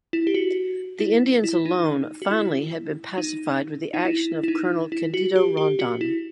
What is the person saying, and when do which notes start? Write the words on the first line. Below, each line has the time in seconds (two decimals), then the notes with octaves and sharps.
The Indians alone finally had been pacified with the action of colonel Candido Rondon.
0.13 E4
0.27 G4
0.34 F#4
1.00 E4
1.44 E4
1.65 D#4
2.22 F#4
2.31 E4
3.18 D#4
3.94 D#4
4.05 E4
4.43 E4
4.48 D#4
4.92 E4
5.14 F#4
5.36 G4
5.57 G4
5.79 F#4
6.01 E4